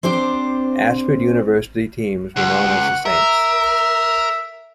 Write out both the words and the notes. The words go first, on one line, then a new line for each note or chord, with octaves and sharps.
Ashford University teams were known as the Saints.
C4 D4 G4 C5
C#2 F#5
A#4 E5